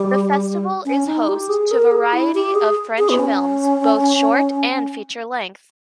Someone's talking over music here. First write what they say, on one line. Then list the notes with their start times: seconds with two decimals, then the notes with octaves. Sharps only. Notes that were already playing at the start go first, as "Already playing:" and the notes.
The festival is host to a variety of French films, both short and feature-length.
Already playing: G3
0.85 C#4
1.07 D#4
1.29 G4
1.49 G#4
1.71 A#4
1.91 G#4
2.13 E4
2.35 G4
2.55 G#4
2.98 G#4
3.10 B3
3.19 C#4